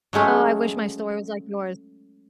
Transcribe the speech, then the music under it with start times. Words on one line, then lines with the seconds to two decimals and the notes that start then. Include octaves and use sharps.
I wish my story was like yours.
0.13 F#3 G#3 A3 C#4